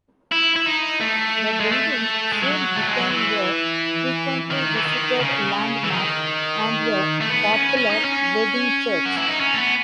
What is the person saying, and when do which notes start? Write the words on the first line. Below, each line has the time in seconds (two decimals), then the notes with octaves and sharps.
The building soon became a frequently visited landmark and a popular wedding church.
0.32 E4
0.56 E4
0.66 D#4
1.01 A3
1.60 G#3
1.72 A3
2.32 G#3
2.42 F#3
2.76 A3
2.88 G#3
2.99 F#3
3.11 E3
4.51 D#3
4.76 E3
4.86 D#3
5.20 C#3
5.83 E3
5.91 D#3
7.21 A3
7.30 B3
7.54 C#4
7.77 C#4
7.90 D#4
8.04 C#4
9.06 F#4
9.17 E4
9.28 D#4
9.40 C#4
9.54 A3
9.58 B3